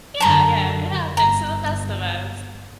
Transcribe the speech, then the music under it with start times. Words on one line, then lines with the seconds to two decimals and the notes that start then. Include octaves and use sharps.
Yeah, yeah, it happens to the best of us.
0.20 F#2 D3 A5 A#5
1.17 G1 A#5